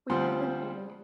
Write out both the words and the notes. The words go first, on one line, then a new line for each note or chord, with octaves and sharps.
We haven’t any.
D2 F3 G3 C4 F#5 C6